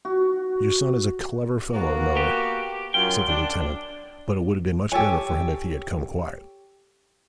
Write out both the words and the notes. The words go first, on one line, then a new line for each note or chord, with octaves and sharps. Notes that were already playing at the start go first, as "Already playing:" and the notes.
'Your son is a clever fellow, miller,' said the lieutenant; 'but it would have been much better for him if he had come quiet.'
F#4
A#3 B3 F#4
G4
F#2 F4 G5
D4
G4 A4 C#5 G#5